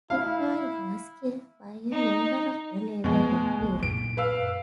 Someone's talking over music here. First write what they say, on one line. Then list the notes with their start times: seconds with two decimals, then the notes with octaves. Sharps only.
Tip Toe was killed by a member of the Neighborhood Piru.
0.10 E4 F5
1.93 D#4
3.04 F2 B2 F3 G#3
3.27 A3
3.60 D1 B1 B3
3.83 F#2 A#2 D7
4.17 B4 F5 E6